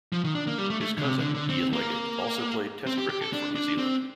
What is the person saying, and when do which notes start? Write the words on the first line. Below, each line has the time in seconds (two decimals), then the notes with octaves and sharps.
His cousin Ian Leggat also played Test cricket for New Zealand.
0.13 F3
0.24 D#3
0.35 D4
0.47 A#3
0.58 G3
0.70 A3
0.80 A3
0.98 D3
1.03 C3
1.19 D3
1.34 D3
1.49 C4
1.73 A#3
2.87 C4
2.98 G4
3.09 G4
3.22 A4
3.33 D4
3.56 D4
3.78 C4